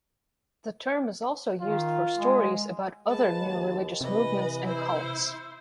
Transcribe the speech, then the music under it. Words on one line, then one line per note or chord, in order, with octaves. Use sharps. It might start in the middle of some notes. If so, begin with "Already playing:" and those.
The term is also used for stories about other new religious movements and cults.
D#3 F4
G#3
G#3 B4 A5
D#2
C3 E3 B4 D#5
E4 C5